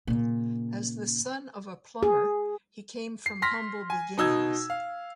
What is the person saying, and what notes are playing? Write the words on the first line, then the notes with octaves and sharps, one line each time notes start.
As the son of a plumber, he came from humble beginnings.
A#2 C#3
G#4
C7
C6 F6 A#6 B6
G#5
B2 D#4 E6 G#6
F5